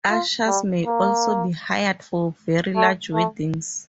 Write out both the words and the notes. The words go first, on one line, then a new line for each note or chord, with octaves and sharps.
Ushers may also be hired for very large weddings.
F4
G3
A#3
A3
A3